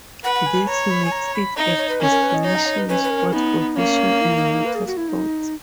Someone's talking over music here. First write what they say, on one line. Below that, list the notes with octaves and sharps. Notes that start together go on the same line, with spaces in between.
This makes it a destination spot for fishing and water sports.
B4 F#5
F#5
G#5
C#5 A#5
B5
G#5
A#5
B5
D#4 A#5
C#5
C#5
B4
C#4 A#4
A#4
B4
D#5
D#4 C#5
A#5
C#5
B4
C#4 B4
B4
A#4
B3 D#4
A#3 C#4
D#4
E4
D#4
B4
G#4
F#4
E4
D#4